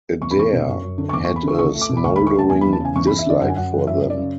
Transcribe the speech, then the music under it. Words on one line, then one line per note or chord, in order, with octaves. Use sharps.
Adair had a smouldering dislike for them.
E2 C#6
B5
E2 C#6
B2
F#2
F#2
D3
C#6
E2 D6
E2 C#6
B5
D3 C#6
C#2 C#6
A3
D6
B2
B5
D2 C#6
A3 B5
C#6
C#3 A5
E2 G#5
E2 B5
A5
C#3 G#5
E2 C#6
E2 B5
E5
D3 D5
F#2 F#5
G#5
F#2 F#5
E3
F#2 E5
F#2
D5
C#3